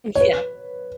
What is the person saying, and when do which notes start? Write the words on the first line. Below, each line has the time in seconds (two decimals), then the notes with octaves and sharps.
N yeah.
0.15 C#5
0.21 B4